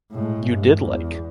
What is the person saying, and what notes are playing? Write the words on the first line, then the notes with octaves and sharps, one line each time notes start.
You did like.
A2 G#3
G2
E2